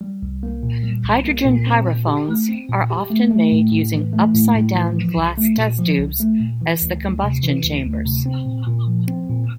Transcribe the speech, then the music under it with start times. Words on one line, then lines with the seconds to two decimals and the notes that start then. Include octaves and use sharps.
Hydrogen pyrophones are often made using upside-down glass test tubes as the combustion chambers.
0.01 G3
0.22 C2
0.43 A#3
0.63 A#2
0.83 G3
1.04 C2
1.25 A#3
1.45 A#2
1.67 C4
1.86 A#2
2.07 G4
2.29 A3
2.49 C4
2.69 A#2
2.90 G4
3.10 A3
3.31 A3
3.52 A2
3.72 A2
3.93 E3
4.13 A3
4.35 A2
4.54 A2
4.75 E3
4.96 F3
5.17 C2
5.37 A3
5.58 A#2
5.79 F3
5.99 C2
6.20 A3
6.40 A#2
6.61 E3
6.82 D2
7.03 D2
7.23 C3
7.43 E3
7.64 D2
7.85 D2
8.05 C3
8.26 C4
8.46 A#2
8.67 A#2
8.87 F3
9.08 C4
9.29 A#2